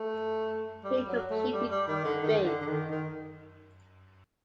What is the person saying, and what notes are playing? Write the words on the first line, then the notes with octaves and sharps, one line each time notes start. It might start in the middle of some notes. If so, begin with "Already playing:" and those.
He completed B.
Already playing: A3
G3
F#3
A3
G3
G3
D#3
D3
D#3
D3
D3
D#3
D#3